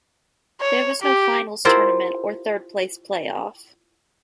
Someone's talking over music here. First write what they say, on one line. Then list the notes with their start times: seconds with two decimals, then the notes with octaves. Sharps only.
There was no finals tournament or third-place playoff.
0.61 C#5
1.02 G4
1.65 E4 F4 G4 A#4 C5 E5